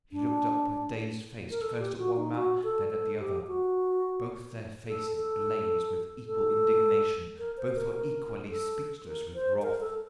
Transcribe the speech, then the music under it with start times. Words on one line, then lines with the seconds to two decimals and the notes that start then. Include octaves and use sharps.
He looked up with dazed face first at one man, then at the other: both their faces blazed with equal indignation; both were equally speechless with wrath.
0.12 D4
1.51 A#4
1.61 A4
1.79 G4
1.98 F#4
2.17 D#4
2.35 F#4
2.63 A4
2.91 A4
3.19 G4
3.47 F#4
4.87 A4
5.15 A4
6.26 A4
7.38 A#4
7.57 C5
7.75 A#4
7.94 A#4
8.50 A4
9.06 A#4
9.34 C5
9.62 A#4
9.80 A4